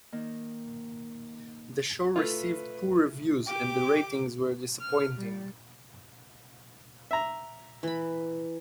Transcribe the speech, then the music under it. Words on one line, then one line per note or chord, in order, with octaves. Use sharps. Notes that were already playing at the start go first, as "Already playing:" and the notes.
The show received poor reviews and ratings were disappointing.
D#3 A#3
A3 F4 B4
G4 G5 D6
F6
G3
E5 A#5
E3 B5